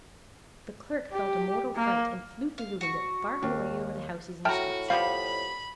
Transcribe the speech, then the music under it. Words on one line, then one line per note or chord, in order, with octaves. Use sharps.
The Clerk felt a mortal fright, and flew through the window, far away over the houses and streets.
G4
A#3
F5
F#4 C#6
D#2
A2 F#4 E5 G5 A5 A#5 F6
A2 F3 G3 B3 F5 B5